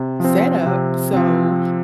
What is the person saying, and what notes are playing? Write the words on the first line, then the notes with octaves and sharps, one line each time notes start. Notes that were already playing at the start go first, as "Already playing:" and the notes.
setup, so
Already playing: C3
F3 C4
C3
F3 C4